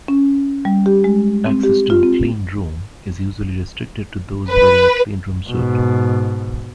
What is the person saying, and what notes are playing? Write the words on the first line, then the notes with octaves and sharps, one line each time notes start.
Access to a cleanroom is usually restricted to those wearing a cleanroom suit.
C#4
G3
G4
G#3
C4
G4
F4
C4
B4
G#2 B2